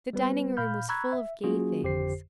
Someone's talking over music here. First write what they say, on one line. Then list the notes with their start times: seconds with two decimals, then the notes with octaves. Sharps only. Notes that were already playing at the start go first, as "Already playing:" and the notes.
The dining-room was full of gay things.
0.13 G3 B3 B4
0.57 A#2 F5 B5 F6 G6
0.89 A#5 B5 C#6 E6 F#6 G#6
1.13 E5
1.44 F#3 A#3 C#4 F4 F#4 G#4
1.82 G#1 F2 D3 G4 C5 C7